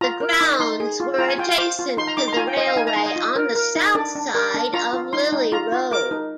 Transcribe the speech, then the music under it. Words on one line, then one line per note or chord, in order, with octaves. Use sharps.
The grounds were adjacent to the railway on the south side of Lillie Road.
F4 A#5
A#4
D#4 D6
D#4 C6
G#4
F4
F4 A#5
G#5
F4 G5
F5
C5 D6
F4
D#4 C6
A#5
D#4 D6
C6
A#5
F4 G#5
G5
C5 D#5
F5
D#4 G#5
A#5
D#4 C6
D#5
F4
A#4
A#4
D#4
D4 D5
D4
A#4
D4
F4 A#5
F4
D#4 C6
D#4
F4 A#5
F4
A#4 D6
D#4